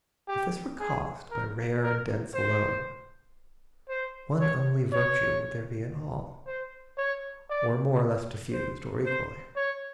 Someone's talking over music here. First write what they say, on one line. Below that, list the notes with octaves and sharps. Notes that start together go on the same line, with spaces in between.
If this were caused by rare and dense alone, One only virtue would there be in all Or more or less diffused, or equally.
G4
G#4
A#4
A#4
C5
C5
C#5
C#5
C5
C#5
D5
C5
C5
C#5